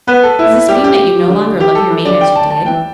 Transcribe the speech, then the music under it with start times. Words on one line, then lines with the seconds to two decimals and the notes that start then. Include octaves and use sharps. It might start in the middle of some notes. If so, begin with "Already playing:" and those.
Does this mean that you no longer love your mate as you did?
0.08 B3 B4
0.23 A4
0.39 E4
0.69 G3 G4
0.84 G4
1.29 D3
1.60 G4
1.75 A4
1.90 E3
2.05 D3 D5
2.21 G5
2.35 A5
2.50 A5
2.66 E3 G5